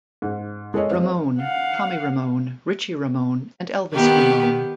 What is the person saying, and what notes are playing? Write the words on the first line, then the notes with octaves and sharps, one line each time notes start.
Ramone, Tommy Ramone, Richie Ramone, and Elvis Ramone.
G#2
G#3 A4 A#4 C#5 D#5
C4 F5
F5 F#5
D#3 B3 G4